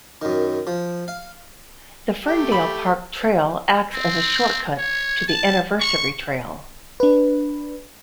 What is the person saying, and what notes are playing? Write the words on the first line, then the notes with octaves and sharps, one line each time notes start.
The Ferndale Park Trail acts as a short cut to the Anniversary Trail.
F#2 D#3
F3
F5
A3 G4
B5
C4
C#5
A5
C#6
D4 B4